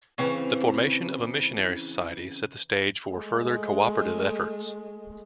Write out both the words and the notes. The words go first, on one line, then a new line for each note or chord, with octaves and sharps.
The formation of a missionary society set the stage for further "co-operative" efforts.
C#3 E3 C4
G#3 A3